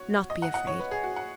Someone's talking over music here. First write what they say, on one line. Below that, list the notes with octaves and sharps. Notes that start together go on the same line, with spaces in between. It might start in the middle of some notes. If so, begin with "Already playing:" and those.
Not be afraid.
Already playing: F#4 C#5
D#5
F#5
F#5
C#5
B4
G#4
F#4
F#5